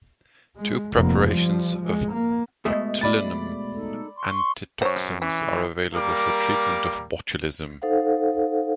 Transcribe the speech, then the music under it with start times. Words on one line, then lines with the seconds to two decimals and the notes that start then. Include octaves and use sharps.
Two preparations of botulinum antitoxins are available for treatment of botulism.
0.56 G#3
0.95 F1 A#3
1.28 F3 G3
1.82 G#3
2.12 A#3
2.65 B2 G#3 A3
3.01 D5 B5 A6
3.74 D#4 A4
4.16 C6 C#6
4.82 F#2 C5 C#5
5.22 E3 C#4
5.94 G3 A#3 A#4 D6
7.82 D#4 A4 C5 F5 F#5